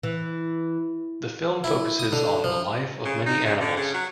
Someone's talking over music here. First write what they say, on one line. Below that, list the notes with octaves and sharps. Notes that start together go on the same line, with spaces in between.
The film focuses on the life of many animals.
E3
E4
D#6
D3
F3
C#3
D#4
C#3
D3
C#3
F#3